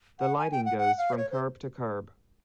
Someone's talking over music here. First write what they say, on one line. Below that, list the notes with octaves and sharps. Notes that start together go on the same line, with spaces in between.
The lighting goes from curb to curb.
F#5
G#5
G5
F#5
F#5
F5
C5
C#5
C5